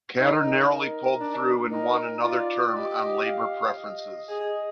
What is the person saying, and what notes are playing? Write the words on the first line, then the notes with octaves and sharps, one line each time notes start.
Katter narrowly pulled through and won another term on Labor preferences.
D#4 A#4
A#4
D4
D#4 A#4
F4 D5
G4 D#5
F5
D#5
G#4 D#5